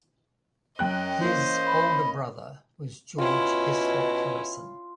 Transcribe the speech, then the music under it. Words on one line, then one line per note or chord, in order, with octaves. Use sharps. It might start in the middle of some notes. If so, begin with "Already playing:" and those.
His older brother was George Heslop-Harrison.
F#2 C#4 D#5 G5 F#6
E3 A#3 C5 F5
B5
B2 C#4 E4 F4